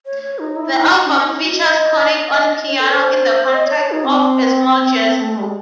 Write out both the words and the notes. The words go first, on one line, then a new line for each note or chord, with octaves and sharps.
The album features Connick on piano in the context of a small jazz group.
C#5
C#5
D#4
E4
D#4
C#4
D#4
E4
F#4
D#5
C#5
A4
C5
D#5
C#5
C#5
D#4
C4
C4
A3
G#3